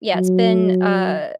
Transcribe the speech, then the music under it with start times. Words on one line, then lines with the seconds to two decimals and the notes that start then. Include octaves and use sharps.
yeah, it's been, uh
0.15 F#3